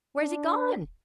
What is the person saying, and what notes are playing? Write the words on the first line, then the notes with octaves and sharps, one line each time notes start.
Where's he gone?
D4